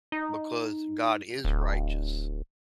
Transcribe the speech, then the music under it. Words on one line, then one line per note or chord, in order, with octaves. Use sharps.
because God is righteous.
D#4
D1